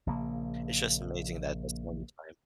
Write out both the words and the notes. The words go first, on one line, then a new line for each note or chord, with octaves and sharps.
it's just amazing that that's the only time
A#1 C#3 A#3